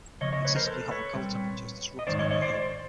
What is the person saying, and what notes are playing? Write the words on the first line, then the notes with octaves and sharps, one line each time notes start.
Excessively hot or cold temperatures disrupt normal behavior.
C#3 F3 A#3 C#5 D#5
C#5 D#5
B4 C#5
A#4 C5
A4 B4
B4 C#5
A#2 G3 C4
D#5
G#2 D#3 G3 B3 C5 D5
C#5 D#5
C#5 D#5
C5 D5
C5 D5